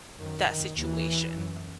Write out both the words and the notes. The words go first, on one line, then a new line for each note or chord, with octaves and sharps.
that situation?
F#2 D#3
D#3
D#2 E3
F#2